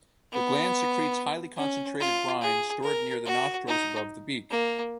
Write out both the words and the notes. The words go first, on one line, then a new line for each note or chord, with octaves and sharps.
The gland secretes highly concentrated brine stored near the nostrils above the beak.
B3
C#4
F4
G#4
A#4
F#4
D#4
A#3